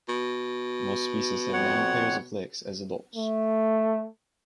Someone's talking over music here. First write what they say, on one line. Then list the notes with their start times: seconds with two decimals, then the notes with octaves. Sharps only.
Most species have nine pairs of legs as adults.
0.09 B2
1.53 F2 C#5 F#5
3.16 A3